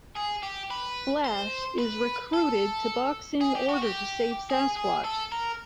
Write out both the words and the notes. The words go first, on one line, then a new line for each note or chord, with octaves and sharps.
Flash is recruited to box in order to save Sasquatch.
G#4
G4
B4
C5
B4
A4
G#4
G4
F#4
G4
G#4
G#4
A4
A#4